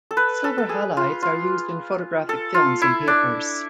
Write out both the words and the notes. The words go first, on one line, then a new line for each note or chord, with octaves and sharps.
Silver halides are used in photographic films and papers.
A4
B4
A4
A4
G#4
F4
F4
A4
F4
E4
D4